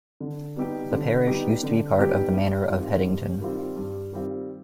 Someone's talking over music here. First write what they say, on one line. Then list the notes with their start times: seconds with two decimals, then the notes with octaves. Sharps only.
The parish used to be part of the manor of Headington.
0.20 D3
0.56 G3 B3 D#4 G4
0.91 D3
1.27 G3 B3 D#4 G4
1.63 D3
1.99 G3 B3 D#4 G4
2.34 G2
2.70 D#3 G3 C4 F4
3.05 G2
3.41 D#3 G3 C4 F4
3.76 G2
4.12 D#3 G3 C4 F4